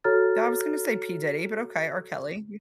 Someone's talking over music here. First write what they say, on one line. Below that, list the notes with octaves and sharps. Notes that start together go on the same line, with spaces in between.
I was gonna say P Diddy, but okay, R. Kelly.
F#4 A4 C#5 A#5 F6 A6